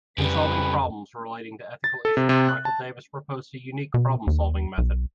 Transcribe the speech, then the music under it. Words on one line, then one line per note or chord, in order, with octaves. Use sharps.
In solving problems relating to ethical issues, Michael Davis proposed a unique problem-solving method.
F2 C#3 G3 B4
A6
A4
C3
C3
F#6
A5
B2
D#2
B1